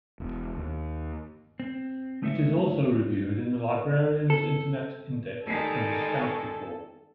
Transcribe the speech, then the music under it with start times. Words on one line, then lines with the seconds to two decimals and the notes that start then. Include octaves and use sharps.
It is also reviewed in the Librarian's Internet Index and the Scout Report.
0.20 E1
0.57 D#2
1.60 C4
2.22 G#3 A3 D#4 B4 C#5 E5
4.30 A4
5.45 D#3 G3 G#3 A4